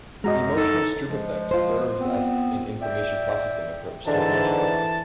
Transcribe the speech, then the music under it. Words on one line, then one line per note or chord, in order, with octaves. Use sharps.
The emotional Stroop effect serves as an information processing approach to emotions.
F#2 G#3 F#4 D#5 A#5
D#4 A4
F3 G#3
F4 C5
B3 C4
D5 E5 G5
G#2 D3 E3 A5